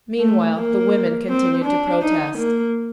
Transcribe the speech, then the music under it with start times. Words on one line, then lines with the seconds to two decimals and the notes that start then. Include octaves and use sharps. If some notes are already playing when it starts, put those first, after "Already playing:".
Meanwhile the women continued to protest.
0.20 A3
0.56 A#3
1.29 C4
1.65 D4
2.02 D#4
2.38 A#3